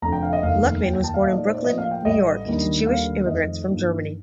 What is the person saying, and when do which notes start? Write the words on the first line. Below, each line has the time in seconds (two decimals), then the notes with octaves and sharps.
Luckman was born in Brooklyn, New York, to Jewish immigrants from Germany.
0.02 F1 F2 D3 A#5
0.12 G5
0.22 F5
0.33 D#5
0.43 F1 D#2 D#3 A3 F5
0.83 F1 D#2 D#3 G5
0.94 G5
1.04 A5
1.14 F5
1.24 A#2 A3 D#4 D#5
1.34 D5
1.44 C5
1.54 D5
1.64 A2 F3 A#3 D#5
1.78 F5
1.91 G5
2.05 A1 A2 G3 D#5
2.45 D#2 D#3 G3 D4
2.86 D#2 D3 G3 F5
3.27 F2 D#3 A3 C4 D#5
3.67 G2 D3 F3 A#3 D#4